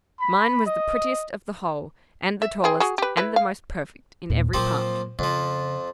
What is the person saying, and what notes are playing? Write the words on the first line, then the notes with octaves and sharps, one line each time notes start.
Mine was the prettiest of the whole, and the tallest, and the most perfect in every part.
B5
D#5
E5
C4 G#4
F#4 G#4
G4 B4
E4 B4
F5
D#2 A#2
A#2 F3 F#3 A#3 C4
F2 C#3 F3